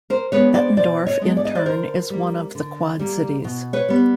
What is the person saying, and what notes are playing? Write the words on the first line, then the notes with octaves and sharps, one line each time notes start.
Bettendorf, in turn, is one of the Quad Cities.
A#4 C5
G#3 B3 D4 B4 C#5
C5 D5
B2 C5 D5
C#5 D#5
G#3 B3 D4
D5
D#5
C5 D5
D3 A#4 C5
G3 A#3
D3
G3 A#3
B2
B4 C#5
G3 B3